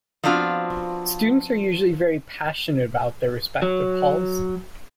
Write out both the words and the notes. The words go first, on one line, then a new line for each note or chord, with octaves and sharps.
Students are usually very passionate about their respective halls.
F3 B3 C4 D4 F4 F#4
F#3